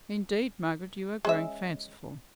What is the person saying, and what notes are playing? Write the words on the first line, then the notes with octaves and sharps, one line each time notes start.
'Indeed, Margaret, you are growing fanciful!
G#3 C#4 E5